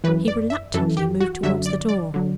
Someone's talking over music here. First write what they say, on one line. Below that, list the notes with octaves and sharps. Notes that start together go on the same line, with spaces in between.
He reluctantly moved towards the door.
F#2 E3 B4
D5
E5
F#2 E3 A4
G4
F#4
F#2 D3 F#3 E5
D5
D5
D3 F#3